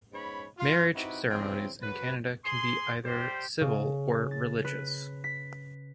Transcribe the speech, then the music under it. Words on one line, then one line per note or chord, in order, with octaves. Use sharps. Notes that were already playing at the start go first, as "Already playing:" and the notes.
Marriage ceremonies in Canada can be either civil or religious.
G#2 B3 C#4 C#5 B5
F4
C4 D#4 E4 F#4 G4 B4
C#3 E3 F3 C4
F#2 C#3 F#3 B4
G#4 C6
G3 G4 C5
C#3
A6
B4
B6